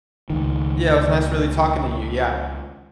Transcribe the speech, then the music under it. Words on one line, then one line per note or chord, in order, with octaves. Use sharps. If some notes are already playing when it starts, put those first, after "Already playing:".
Yeah, it was nice really talking to you, yeah.
C#2 D#3